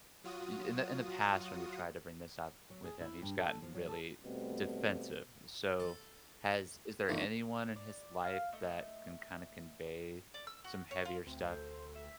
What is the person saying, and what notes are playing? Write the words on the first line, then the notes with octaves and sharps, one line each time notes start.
i in the in the past, when you've tried to bring this up with him, he's gotten really defensive, so, has is there anyone in his life that can kinda convey some heavier stuff
F#3 F4 F#4 D#6
F#3
G#4
E4
G2
A4
F3
F#3
A4
B2 G3 A3 C4
A4
G1 C3 D#3 F3 A3
D5
F5
A3 D#5
D5
E6
F#4
C#5
F4
D2 C4
A4 C5
E5